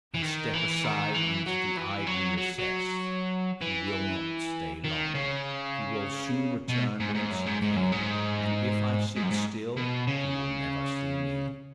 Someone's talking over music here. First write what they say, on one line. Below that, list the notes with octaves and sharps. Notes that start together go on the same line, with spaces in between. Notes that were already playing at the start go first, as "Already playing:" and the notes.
I step aside into the ivy recess; he will not stay long: he will soon return whence he came, and if I sit still he will never see me.
E3
D#3
E3
D#3
E3
F#3
E3
F#3
F#3
F#3
E3
D#3
C#3
B2
G#2
G#2
F#2
G#2
G#2
F#2
G#2
G#2
F#2
G#2
B2
C#3